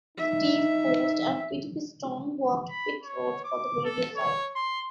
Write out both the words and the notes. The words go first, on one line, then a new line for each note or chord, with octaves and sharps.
Steve Post and Pete Pistone worked pit road for the radio side.
D#4 E5
B5
C#5
D6
A4
C#5
C6